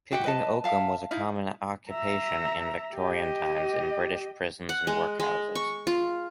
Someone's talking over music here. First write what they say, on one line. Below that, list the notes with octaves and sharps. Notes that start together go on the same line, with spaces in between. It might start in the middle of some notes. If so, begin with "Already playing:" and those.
Picking oakum was a common occupation in Victorian times in British prisons and workhouses.
F#4 G4 F#5 G5
B4 D#5 A5
E5 F5 A5
D#4 E4 F5
E5 A#5
G4 D#5
F#5
G#3
G#3
C#6
F4